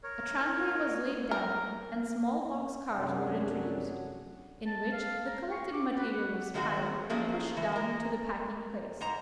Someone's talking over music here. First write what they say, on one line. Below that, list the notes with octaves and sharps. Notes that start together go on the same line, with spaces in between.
A tramway was laid down and small box-cars were introduced, in which the collected material was piled and pushed down to the packing place.
A#4 C#5
A#4
F#2 C3 D4 G#4 C#5 F#5
A5
F5
A#4
C#6
D6
B4
F#5
D#3 G#3 A#3 C4 F#4
F3 F#3 A3 A#3 C#4 G#4
E3
A#3 A#4
G#2 A#5